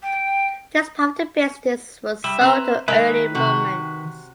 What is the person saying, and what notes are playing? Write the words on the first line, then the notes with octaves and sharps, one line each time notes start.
This part of the business was sold to Early Moments.
G5
G3 E5
C4 B4 A#5
D#3 G#3 A#4 B4 E5
C3 F#4